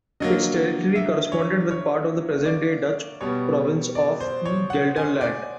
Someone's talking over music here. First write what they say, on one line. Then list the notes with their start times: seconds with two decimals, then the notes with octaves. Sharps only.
Its territory corresponded with part of the present-day Dutch province of Gelderland.
0.20 D3 F#3 A#3 D#5
0.95 E5
1.32 C#5
1.71 C#5
2.45 D5
3.21 B2 G3 B3 C#5
3.95 D5
4.20 C5
4.45 C#5
4.70 F#5
4.96 G#5
5.21 D5